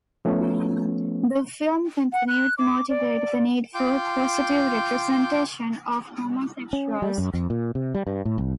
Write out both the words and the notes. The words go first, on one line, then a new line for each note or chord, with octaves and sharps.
The film continued to motivate the need for positive representation of homosexuals.
F3 A3 B3 C#4
F#5
F#6
D6
D5
F4 G5 C6 D6 G6
C#4
G3
F#2
F2
A#2
C3
G3
G2
A2
C2